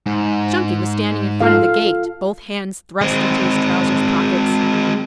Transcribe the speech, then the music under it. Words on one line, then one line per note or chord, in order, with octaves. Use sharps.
Chunky was standing in front of the gate, both hands thrust into his trousers pockets.
G#2
F4 A4 F5
G#3 C4